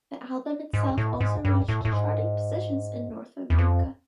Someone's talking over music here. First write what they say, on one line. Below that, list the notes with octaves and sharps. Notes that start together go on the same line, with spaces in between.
The album itself also reached charting positions in North America.
G#2
A2
G#2
G2
A2
A2
G#2
E2
F2